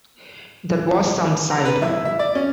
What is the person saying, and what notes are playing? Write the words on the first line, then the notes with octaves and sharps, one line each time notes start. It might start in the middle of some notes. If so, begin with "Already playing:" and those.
That was some side.
A#5
B4
E4
E5
D5
C#4